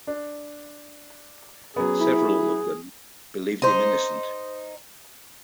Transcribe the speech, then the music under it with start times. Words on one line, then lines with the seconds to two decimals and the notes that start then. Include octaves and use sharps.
Several of them believed him innocent.
0.07 D4
1.76 F#3 B3 C#4 G#4
2.00 E4
3.62 D#4 C5